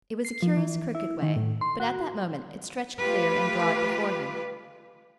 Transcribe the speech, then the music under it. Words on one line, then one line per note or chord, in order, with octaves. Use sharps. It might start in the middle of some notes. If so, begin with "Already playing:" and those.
It was a curious crooked way, but at that moment it stretched clear and broad before him.
C7
F3
E3
E4
D#3
A2
C6
F#4
A3 F4 G4 B4